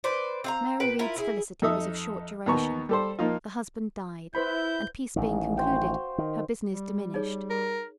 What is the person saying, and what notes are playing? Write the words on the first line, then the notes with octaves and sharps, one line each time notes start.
But Mary Read's felicity was of short duration; the husband died, and peace being concluded, her business diminished.
B4 C5 D5
C4 F5 A#5
A#2 B4 G5
E4 F4 A#4
E4 G#4
F2 D#4 A4 E5 D#6
D#2 B3 A#5 C#6
G3 A4 C5
F3 A#3 D#4 F4
E4 B4 C5 B5 G6
A1 D#3
F#4 C5 G5
F5
D#3
G3
D#4 G#4 C#5
A#4